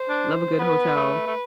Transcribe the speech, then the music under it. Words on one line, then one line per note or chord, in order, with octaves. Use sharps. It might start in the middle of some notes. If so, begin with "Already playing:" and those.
love a good hotel,
Already playing: C5
D4
B3 B4
A3
A3